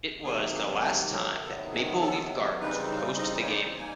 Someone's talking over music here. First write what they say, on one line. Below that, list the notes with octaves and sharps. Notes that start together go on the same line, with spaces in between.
It was the last time that Maple Leaf Gardens would host the game.
C3 D#3 F#3 A#3 G#4
G#4
A4
A#4
C3 D#3 F#3 B3 A4
G#4
A4
C#3 E3 G3 C4 D#4 B4
D#5
C#5
D5
G3 A#3 D#4 G#5